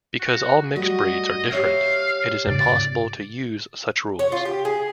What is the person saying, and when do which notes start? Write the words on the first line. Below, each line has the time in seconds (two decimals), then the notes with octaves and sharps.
Because all mixed breeds are different, it is impossible to use such rules.
0.20 F#4
0.76 G3 A3 F#4 D#5
1.51 G4 C#5 E5 F5
2.47 G#2 C#3 D5
4.19 C#5
4.32 F4
4.45 G4
4.65 G#4